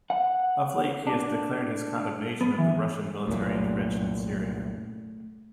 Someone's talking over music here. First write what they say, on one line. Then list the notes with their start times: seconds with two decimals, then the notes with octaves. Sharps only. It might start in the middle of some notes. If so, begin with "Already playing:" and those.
Of late, he has declared his condemnation of the Russian military intervention in Syria.
0.10 F#5
1.07 D4
2.41 B3
2.58 E3
3.27 C2 F#2 A#2 A3